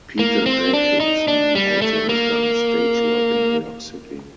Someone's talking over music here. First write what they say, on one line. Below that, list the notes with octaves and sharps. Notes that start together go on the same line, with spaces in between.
Peter Jacobson also has done stage work in New York City.
A#3
C4
D4
D#4
D4
G3
A3
A#3